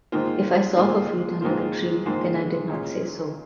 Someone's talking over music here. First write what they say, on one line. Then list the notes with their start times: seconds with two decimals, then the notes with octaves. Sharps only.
If I saw her feet under the tree, then I did not say so.
0.12 G#2 D#3 A#3 F4 C5
0.77 G#2 D#3 A#3 F4 C5
1.41 G#2 D#3 A#3 F4 C5
2.05 G#2 D#3 A#3 F4 C5
2.70 A#2 G#3 C#4 F4